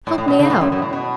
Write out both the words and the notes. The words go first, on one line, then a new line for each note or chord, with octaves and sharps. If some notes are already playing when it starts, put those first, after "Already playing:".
Help me out!
A2
A2
B2
C#3
A2
F#2
F#2
A2
B2